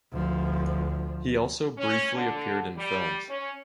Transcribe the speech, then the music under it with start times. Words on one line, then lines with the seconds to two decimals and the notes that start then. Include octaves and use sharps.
He also briefly appeared in films.
0.12 D2 F3
1.78 C#4
2.14 D3
2.77 G3
3.29 C#4